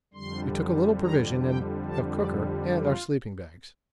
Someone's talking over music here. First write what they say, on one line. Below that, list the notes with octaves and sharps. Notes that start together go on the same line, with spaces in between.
We took a little provision and a cooker and our sleeping-bags.
F2 D3 G3 C6
A#5
G5
A5
D5
G4
F4